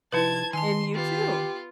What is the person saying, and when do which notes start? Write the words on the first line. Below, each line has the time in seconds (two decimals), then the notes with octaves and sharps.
And, you too.
0.12 C3 F3 D#4 E4 B4 A5 G#6
0.53 D#3 G#5 A5 C6
0.95 B3 F4 G4